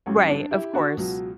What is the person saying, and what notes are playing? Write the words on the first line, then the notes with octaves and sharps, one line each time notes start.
Right, of course.
A1 G2 F#3 C#4
C#4
D4
E4 G4
D4 F#4
C#2 B2 F#3